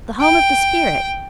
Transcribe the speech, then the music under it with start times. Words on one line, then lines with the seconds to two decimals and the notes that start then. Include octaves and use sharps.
The Home of the Spirit!
0.21 G5